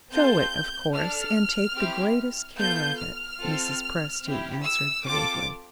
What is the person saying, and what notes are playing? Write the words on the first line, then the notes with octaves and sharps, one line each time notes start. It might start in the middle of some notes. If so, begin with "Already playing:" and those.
"Show it, of course; and take the greatest care of it," Mrs. Presty answered gravely.
C4 F4 A4 G6
D4 A4 F6
C4 E4 G4
B3 F4 A4 G6
F6
C4 F4 A4
C4 E4 G4
E6
C4 F4 A4 D6